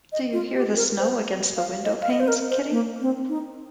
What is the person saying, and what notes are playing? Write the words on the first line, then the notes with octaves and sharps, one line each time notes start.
Do you hear the snow against the window-panes, Kitty?
D#5
F4
G4
A#4
C5
F5
D#5
F5
D#5
C5
A#4
C5
A#3
C4
D#4